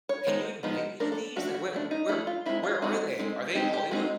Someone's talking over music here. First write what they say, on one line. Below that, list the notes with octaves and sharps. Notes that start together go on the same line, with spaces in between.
can you invite me to these? Like, what w where where are they? Are they in Hollywood?
C#5
F3 G#3 B3 D#4 C5
F3 G#3 B3 D#4
F3 A3 D4 A#4
A4
F3 A3 D4 F#4
F#4
F3 A3 D4
D#4
F3 A3 D4 E4
F4
G#3 C4 D#4 E4
F4
G#3 C4 D#4 F#4
G#3 C4 D#4
G#3 C4 D#4 G4
G4
G#3 C4 D#4 F#4